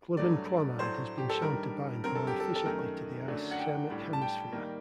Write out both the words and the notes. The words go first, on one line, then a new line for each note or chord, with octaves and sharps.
Glibenclamide has been shown to bind more efficiently to the ischemic hemisphere.
G2 F#3 A3 D5
A2 F#3 A3 D4 C5
G4
A4
G2 D#3 G3 D4 A#4
G2 D3 F#3 C4 A#4
A4
G4
A4
A4
F#2 D#3 A3 A#4
F#2 D3 F#3 A3 D4
F#5
G5
A2 G3 D4
A5
G5
D#3 G3 A#3